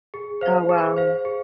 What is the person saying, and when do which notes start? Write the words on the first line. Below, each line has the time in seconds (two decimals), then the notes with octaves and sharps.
Oh wow.
0.14 G#4
0.41 C5 F5
0.69 G#4
0.96 C5 F5
1.25 G#4